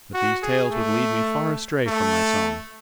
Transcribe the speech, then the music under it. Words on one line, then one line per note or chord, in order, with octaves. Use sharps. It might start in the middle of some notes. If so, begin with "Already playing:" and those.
But these tales would lead me far astray from my song.
F#4
G#4
A3
A3